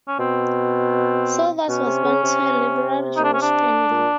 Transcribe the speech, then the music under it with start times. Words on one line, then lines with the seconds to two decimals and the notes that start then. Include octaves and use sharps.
Silvas was born to a Liberal Jewish family.
0.08 C#4
0.19 B2 C4
1.67 B2 C#4
1.86 C3
2.05 C#3
2.23 C3
2.42 C3
3.17 D#4
3.24 D4
3.34 C#4
3.42 D4
3.90 A#2